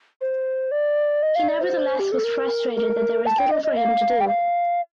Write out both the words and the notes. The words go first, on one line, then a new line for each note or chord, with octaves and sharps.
He nevertheless was frustrated that there was little for him to do.
C5
D5
D#5
F5
D5
C5
G4
A4
A#4
A#4
A5
G5
D#5
D#5
F5
G5
F5